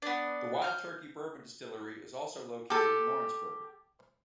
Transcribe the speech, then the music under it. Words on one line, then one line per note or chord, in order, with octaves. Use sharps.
The Wild Turkey bourbon distillery is also located in Lawrenceburg.
B3 D4
F6 G6
G4 A4